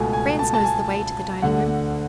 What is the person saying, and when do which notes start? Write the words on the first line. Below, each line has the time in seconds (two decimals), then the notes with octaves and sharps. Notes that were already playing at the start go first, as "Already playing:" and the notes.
Franz knows the way to the dining-room.
Already playing: C#2 B2 A3 G#5
0.13 G#5
0.39 A5
0.54 A5
0.65 G#5
1.42 D2 D3 A3 F#5